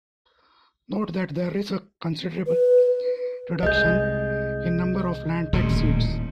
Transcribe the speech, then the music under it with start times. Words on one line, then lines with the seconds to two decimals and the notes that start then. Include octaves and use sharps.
Note that there is a considerable reduction in the number of Landtag seats.
2.46 B4
3.63 C2 G#3 D#5 G6
5.53 D#1 D2 A2